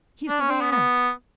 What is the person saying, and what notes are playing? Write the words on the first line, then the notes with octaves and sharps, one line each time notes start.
"Here's the way out!"
D4
C#4
C4
B3
B3